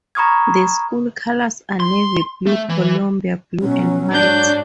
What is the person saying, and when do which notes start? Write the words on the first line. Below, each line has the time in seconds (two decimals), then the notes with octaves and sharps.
The school colors are navy blue, Columbia blue, and white.
0.15 A#5 B5 C#6 D#6 F6 G#6
1.80 C6
2.47 A3
2.69 E3
3.61 B2 F#3 C#4
4.14 G#2 F#3 D4 F#4 D5 G6